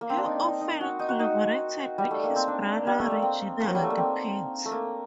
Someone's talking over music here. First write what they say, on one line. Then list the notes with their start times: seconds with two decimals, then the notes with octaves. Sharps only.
He often collaborated with his brother, Reginald Pitt.
0.01 A#3
0.10 C4
0.17 D4
0.25 D#4
0.43 D#4
0.61 D#4
0.81 F#4
0.99 D#4
1.09 F#4
1.19 D#4
1.98 G3
2.11 A3
2.23 A#3
2.36 C4
2.48 D4
2.87 G3
2.99 A3
3.11 A#3
3.22 C4
3.60 A#3
3.68 F#3
3.75 G3
3.82 A3
3.90 A#3
3.98 C4
4.65 A3
4.72 A#3